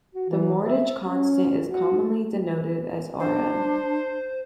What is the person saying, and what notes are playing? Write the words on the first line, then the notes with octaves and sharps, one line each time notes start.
The mortgage constant is commonly denoted as Rm.
F#4
E3
E5
C#4
F#4
D4 C5